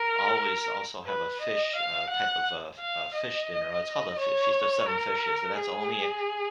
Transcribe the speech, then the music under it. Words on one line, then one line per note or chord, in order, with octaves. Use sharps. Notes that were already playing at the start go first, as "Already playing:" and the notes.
always also have a fish, uh, type of, uh, a a f fish dinner it's called a F Feast of Seven Fishes, so, that's only
Already playing: A#4
B4
D#5
F5
F#5
F5
D#5
C#5
A#4
G#4